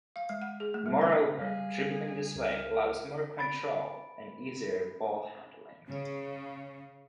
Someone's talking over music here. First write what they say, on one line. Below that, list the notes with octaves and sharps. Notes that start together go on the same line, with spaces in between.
Moreover, dribbling this way allows more control and easier ball-handling.
F5
G#3
F#5
G#4
A3
G3
A#4
C#3 G3 G#4 F5
C#2 A#4
B5 A6 D7
C#3